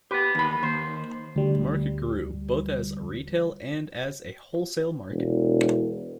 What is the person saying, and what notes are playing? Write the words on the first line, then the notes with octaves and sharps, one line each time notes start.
The market grew, both as a retail and as a wholesale market.
B3 G4 B4
D#2 B5
D#2 C5
D2 G3
E1